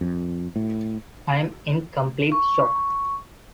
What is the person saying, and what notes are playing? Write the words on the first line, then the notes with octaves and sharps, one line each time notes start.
I'm in complete shock.
F2
A2
C#6